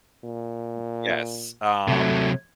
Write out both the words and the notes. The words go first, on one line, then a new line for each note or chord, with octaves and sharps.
Y yes, um,
A#2
C3 F#3 A3